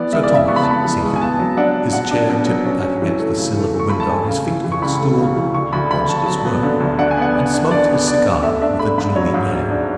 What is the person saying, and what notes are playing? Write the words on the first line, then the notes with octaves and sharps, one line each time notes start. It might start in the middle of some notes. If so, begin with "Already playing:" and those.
Sir Thomas, seated, his chair tipped back against the sill of a window, his feet on a stool, watched us work, and smoked his cigar with a dreamy air.
Already playing: E3 B3 D5
G#3 E5
D5
C#3 E5
B3 C#6
B5
B3 A5
B5
E3
G#3
G#5
B3 A5
F#3
D4 F#5
D4
D4 F#5
D4
B2
F#3
C#4
C#4
E3
A3
C#3
A3
A3
C#6
A3 B5
A5
A3 G#5
C#3
E3
E3
C#6
C#2 B5
A3
C#3
E3
D2 C#6
D2 B5
D2 B5
D2 A5
F#3 A5
B3
D3
D2
D4 F#5
G#5
B3 F#5
D4
D4
D4 D5
B3
B3 D5
B3
A3 E5
D4 E5
A3 B5
G#2 B5
F#3 C#5
G#2
G#2
D4